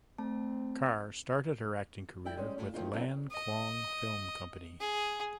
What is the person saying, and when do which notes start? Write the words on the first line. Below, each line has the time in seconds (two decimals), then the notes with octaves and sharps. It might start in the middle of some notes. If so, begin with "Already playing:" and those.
Kar started her acting career with Lan Kwong Film Company.
0.18 A3 C4 A5
2.25 G3 E4 G5
2.37 G3 G#3 C#4
2.58 A2 F4
2.74 D#3 F3 A3 A#3 D#4 F4
2.93 C#3 F#3 C4 D4 E4 A4
3.32 D#5
4.80 G#4